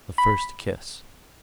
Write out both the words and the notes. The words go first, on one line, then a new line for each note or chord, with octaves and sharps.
The First Kiss.
B5